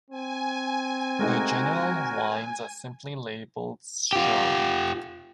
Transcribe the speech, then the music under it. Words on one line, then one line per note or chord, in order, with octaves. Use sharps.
Their general wines are simply labelled Strewn.
C4 G#5
G#3 A3 D#4 F#4 A#4
F4 G4